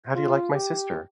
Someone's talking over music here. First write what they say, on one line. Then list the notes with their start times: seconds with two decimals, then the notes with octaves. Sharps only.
How Do You Like My Sister?
0.14 F4
0.53 G4